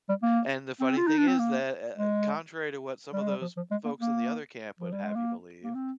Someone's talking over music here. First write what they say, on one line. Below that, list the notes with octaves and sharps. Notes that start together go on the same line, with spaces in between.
and the funny thing is that, u uh, contrary to what some of those folks in the other camp would have you believe
G3
A#3
C4
F4
D#4
D4
C4
A#3
G#3
G3
G#3
G3
F3
F3
G#3
A#3
A#3
F3
G3
G#3
A#3
A#3
C4